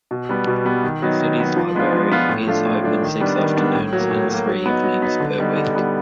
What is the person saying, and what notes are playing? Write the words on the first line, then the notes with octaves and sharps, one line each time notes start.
The city's library is open six afternoons and three evenings per week.
B2
G3 B3
B2
G3 B3
D#3
F#3 B3 D#4
D#3
F#3 B3 D#4
F3
G#3 B3 D4 F4
F3
G#3 B3 D4 F4
A2
F3 A3 D4 F4
A2
F3 A3 D4 F4
D#3
G3 B3 D4
D#3
G3 B3 D4
A2
F#3 A#3
A2
F#3 A#3
F#3
B3 D#4
F#3
B3 D#4
D3
G3 B3 D#4
D3
G3 B3 D#4